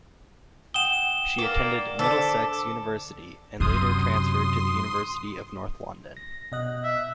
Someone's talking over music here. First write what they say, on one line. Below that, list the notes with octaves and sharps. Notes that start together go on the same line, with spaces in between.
She attended Middlesex University, and later transferred to the University of North London.
F#5 G5 D#6 E7 G7
A#3 D5
D3 A4 C5 D6 B6
F#2 C3 C6 D#6
A#6
B2 D#5 F#6
E5